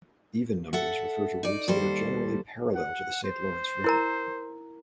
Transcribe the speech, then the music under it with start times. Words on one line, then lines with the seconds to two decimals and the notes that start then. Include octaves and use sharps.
Even numbers refer to routes that are generally parallel to the Saint Lawrence River.
0.73 A4 E5 F#5
1.43 D#4 D5
1.68 D#2 G3 A4 C5
2.75 F#5
3.24 C5
3.84 E4 A#4 A#5